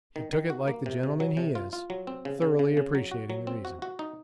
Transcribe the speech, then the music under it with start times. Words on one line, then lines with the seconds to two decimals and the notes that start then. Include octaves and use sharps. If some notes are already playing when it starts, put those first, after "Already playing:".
He took it like the gentleman he is, thoroughly appreciating the reason.
0.16 D#3
0.33 D#3
0.50 F#4
0.68 A#3
0.86 C3
1.03 C3
1.20 F#3
1.37 C3
1.55 F4
1.73 F4
1.90 F#3
2.07 C4
2.25 C#3
2.42 C#3
2.59 C#3
2.77 C#3
2.95 F#3
3.11 F#4
3.30 F#3
3.47 C4
3.65 F#4
3.82 F#4
3.99 D#4